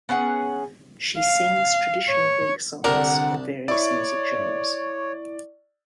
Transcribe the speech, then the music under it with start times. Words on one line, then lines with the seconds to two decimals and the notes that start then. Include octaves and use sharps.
She sings traditional Greek songs of various music genres.
0.09 B3 C#4 G#4 F#5
1.18 F5
2.09 C#5
2.84 C2 D3 D4 G4 A#4 F#5
3.68 E4 C#5 D5 C#6